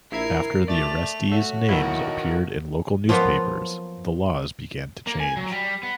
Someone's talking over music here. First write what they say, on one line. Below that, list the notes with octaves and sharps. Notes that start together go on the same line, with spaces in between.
After the arrestees' names appeared in local newspapers, the laws began to change.
A#1 E4 A#4 G#6 C7
A3 D5 A6 F7
A3 F#4 C#5
B1 B2 D#3 E4
F3 F#3 A#3 B3 F4
A#3
G#5
F#3
G3
B3